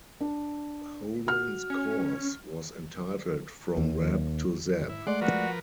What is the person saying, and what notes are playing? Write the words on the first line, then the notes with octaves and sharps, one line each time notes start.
Holman's course was entitled From Rap to Zap.
D4
F#4 F6
C#4
D#2
G#2 E4
G#3 A3 D5 F#5 C6 D6
F3 F#4 A#4 B4